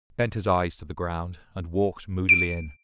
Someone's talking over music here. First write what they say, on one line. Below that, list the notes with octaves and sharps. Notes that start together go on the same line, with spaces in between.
He bent his eyes to the ground, and walked moodily in.
D7